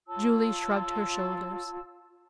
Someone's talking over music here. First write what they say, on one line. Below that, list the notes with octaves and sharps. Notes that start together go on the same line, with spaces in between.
Julie shrugged her shoulders.
F4 C#5 A5 E6